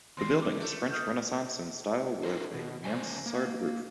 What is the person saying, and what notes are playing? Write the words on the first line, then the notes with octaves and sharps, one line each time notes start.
The building is French Renaissance in style with a mansard roof.
D#2 C6 A#6 C7
D6
A3
D#6 F6 G6
D4 A4 A#4 C5
B2
F2 C#3 C5 G#5
A#3